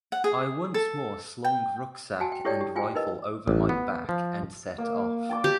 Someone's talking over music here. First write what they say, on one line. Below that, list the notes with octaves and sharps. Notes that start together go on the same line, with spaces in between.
I once more slung rucksack and rifle over my back and set off.
F#5
G#4
A4
G5
F#4 F#5 G#5 A5
G5
E4 G4 A4 C#5 D5 G5
G4
F4 G5 G#5
D#4 A#4 B4 D#5
A1
B3
F3
A#3
G5 A5 D6
G4